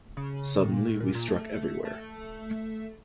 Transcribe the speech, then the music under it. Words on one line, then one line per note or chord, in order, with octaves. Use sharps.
Suddenly we struck everywhere.
C#3
A2
A#2
A2
A#2
A#2
A3
A3